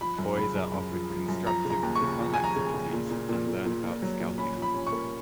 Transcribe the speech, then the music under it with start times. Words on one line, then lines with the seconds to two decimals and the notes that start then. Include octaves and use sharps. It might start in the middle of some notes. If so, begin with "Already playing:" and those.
Boys are offered constructive, fun activities and learn about scouting.
0.01 F3 B5
0.19 F#2
0.37 C#3 B5
0.55 F#2
0.74 F#2
0.92 F3
1.10 F3
1.28 F#2
1.47 F3 A#5
1.65 C#3
1.70 A#5
1.83 D#2
1.95 C#6
2.01 C#3
2.20 F3
2.34 F3 G#5
2.44 A#5
2.56 C#3
2.74 C#3
2.93 A#2
3.11 A#2
3.29 A#2
3.47 A#2
3.65 A#2
3.84 A#2
4.02 F#3
4.20 A#2
4.38 C#4 B5
4.56 F3
4.62 B5
4.74 C#4
4.87 C#6
4.92 A#3